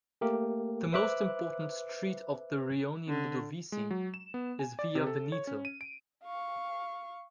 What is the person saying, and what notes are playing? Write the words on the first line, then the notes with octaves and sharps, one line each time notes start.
The most important street of the rione Ludovisi is Via Veneto.
A3 A#3 G4 A#4
B4 C5 E5 D6 F#6
D3
G#3
F#3
E7
B3
G#5
D5
C3
A4
C#5
C#4
D#7
D7
F5 C#6